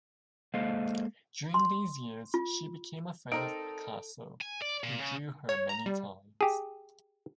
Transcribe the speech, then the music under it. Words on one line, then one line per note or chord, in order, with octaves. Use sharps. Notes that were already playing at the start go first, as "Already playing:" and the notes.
During these years she became a friend of Picasso, who drew her many times.
G#3 A#3 A4 C5 D#5 F5
C6
F4
C4 D#4 A4 A#4 D5 D7
G#5
D5
A#2
C#3
C#5
A#5
G3
G4 G#4